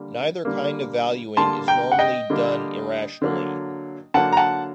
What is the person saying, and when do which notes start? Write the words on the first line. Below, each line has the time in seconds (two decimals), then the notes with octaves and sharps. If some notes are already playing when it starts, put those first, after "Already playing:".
Neither kind of valuing is normally done irrationally.
Already playing: D3 G3 A#3
0.45 D3 G3 A#3
1.37 D3 G3 A#3 A5 C6
1.68 G5 A#5
1.92 F#5
1.99 D#5 G5
2.30 D3 G3 A#3
3.22 D3 F#3 A#3
4.14 D3 F#3 A#3 F#5 A5
4.33 A#5
4.37 F#5 A5